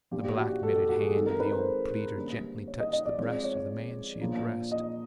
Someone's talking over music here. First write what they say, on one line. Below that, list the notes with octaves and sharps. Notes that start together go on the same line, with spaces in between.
The black-mitted hand of the old pleader gently touched the breast of the man she addressed.
A#2 F3 A#3 D4 G4
G4
F#4
G4
A4
G4
F#4
G#4
D#3 G#3 C4 A4
A#4
B4
C5
D3 G3 A#3 C#4
C#5
D#5
D#5
D5
F3 G#3 C4 C#5
D5
C#5
C#5
A#2 F3 A#3 D4
D#5